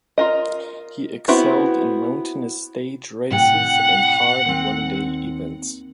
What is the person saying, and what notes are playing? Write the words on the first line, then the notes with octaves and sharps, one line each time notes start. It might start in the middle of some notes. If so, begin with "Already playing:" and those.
He excelled in mountainous stage races and hard one-day events.
F4 A#4 D#5
B3 C4 E4 F#4
A2 C3 F#5 G5
D#2 C4